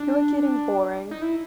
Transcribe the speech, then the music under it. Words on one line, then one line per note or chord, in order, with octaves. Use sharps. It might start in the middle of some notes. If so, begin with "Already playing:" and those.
You're getting boring.
Already playing: D4
D#4
E4